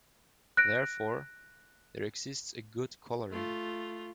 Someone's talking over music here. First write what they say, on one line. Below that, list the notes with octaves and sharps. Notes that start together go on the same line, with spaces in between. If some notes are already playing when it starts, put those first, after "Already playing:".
Therefore, there exists a good coloring.
F#6 A#6 D7
A3 F4